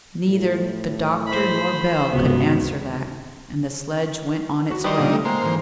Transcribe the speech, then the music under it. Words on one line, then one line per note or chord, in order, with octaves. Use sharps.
Neither the doctor nor Bell could answer that, and the sledge went on its way.
A2
C5 B5
C#2 G2 C3 B3 F#4
F#4
G3 D#4 B4 D5 C6
A#2 C#3 F3
A3
G#3 A#3 C5
G#2 E3